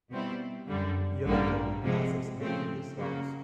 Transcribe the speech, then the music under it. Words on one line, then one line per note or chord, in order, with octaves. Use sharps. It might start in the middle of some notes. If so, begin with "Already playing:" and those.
Yellow Trolley as it 's making its rounds.
B2 G3 C4 E4
F#2 D3 G3
A1 G2 D3 G3 A#3
C3 F3 G#3
C#3 F3 A3 C4
C#3 F#3 A#3